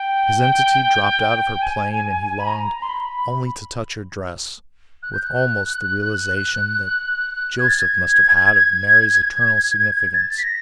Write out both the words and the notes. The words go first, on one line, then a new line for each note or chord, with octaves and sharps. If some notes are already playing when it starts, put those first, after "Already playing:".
His entity dropped out of her plane and he longed only to touch her dress with almost the realization that Joseph must have had of Mary's eternal significance.
Already playing: G5
G#5
B5
A#5
C6
B5
F#6
G6
F#6
G#6
A6
G#6
G#6
A6
B6
A#6